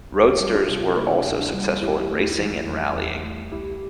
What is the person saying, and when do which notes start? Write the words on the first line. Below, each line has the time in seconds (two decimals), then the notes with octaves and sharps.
Roadsters were also successful in racing and rallying.
0.12 D2
0.40 G3
0.54 D4 F4
0.68 C3
0.96 A#3 E4
1.26 D2
1.39 D4
1.53 G3
1.81 E2 E4 G4
2.10 A3
2.39 E3
2.67 E2
2.95 E2
3.23 A3
3.51 C2 E4 G4